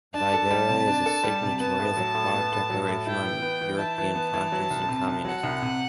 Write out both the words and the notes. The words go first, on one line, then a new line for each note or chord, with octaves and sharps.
Vaidere is a signatory of the Prague Declaration on European Conscience and Communism.
D4 A5
A4
G3
C3
D4
A4
G3
C3
B3 A5
A2
F#3
A2
B3
A2
F#3
A2
E4 G5
E3
B3
E3
E4 A5
E3
B3
E3
F#3
C2
C3
C2
F#3 F#5
C2
C3